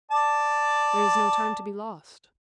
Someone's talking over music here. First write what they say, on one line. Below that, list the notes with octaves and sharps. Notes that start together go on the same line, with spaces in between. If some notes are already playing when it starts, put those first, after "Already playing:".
"There is no time to be lost."
D5 A5